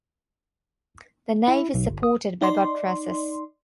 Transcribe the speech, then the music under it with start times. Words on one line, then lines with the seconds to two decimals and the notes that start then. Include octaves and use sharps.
The nave is supported by buttresses.
1.48 E4
1.74 B1
1.87 G1
2.03 D#6
2.41 D#4 D5 C6